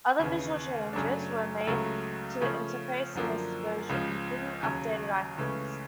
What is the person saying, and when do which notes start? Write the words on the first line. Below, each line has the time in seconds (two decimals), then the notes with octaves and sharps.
Other visual changes were made to the interface in this version, including updated icons.
0.19 D#2 C#3 E3
0.93 F#2 C#3 F#3 A3 D4
1.67 C#2 C#3 F#3 A3
2.41 C#3 F3 A3 C#4
3.15 F#2 D3 F3 A#3 D4
3.89 C#2 C#3 F3
4.63 D#2 C#3 F#3
5.37 C#2 C#3 E3 A3 C#4